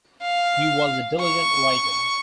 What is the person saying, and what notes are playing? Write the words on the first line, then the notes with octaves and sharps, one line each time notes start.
He was a diligent writer.
F5
C#6